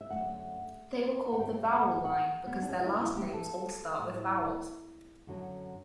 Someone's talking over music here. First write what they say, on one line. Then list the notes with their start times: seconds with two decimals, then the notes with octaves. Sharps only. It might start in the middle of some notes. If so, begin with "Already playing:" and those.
They were called the "Vowel Line" because their last names all start with vowels.
0.01 E5
0.10 F#2 D3 A3 F#5
1.32 F#5
1.39 G2 D3 G3 G5
1.72 F#5
2.05 F#5
2.47 B3
2.62 D4
2.69 E2 C#3 G3 C#4
2.85 E4
3.02 E4
3.17 G4
3.34 A4
3.98 A2 E3 G3
5.27 F#2 D3 F#3